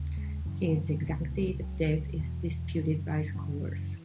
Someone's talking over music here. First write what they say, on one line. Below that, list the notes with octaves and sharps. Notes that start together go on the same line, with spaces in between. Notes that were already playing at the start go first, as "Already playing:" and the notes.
His exact day of death is disputed by scholars.
Already playing: D#2 C#3
G#3
F#2 C#3 E3
C#2 B2 D#3
E3
C#2 C#3 F#3
E2 B2
F#2 C#3 E3
D#3
F#2 C#3 E3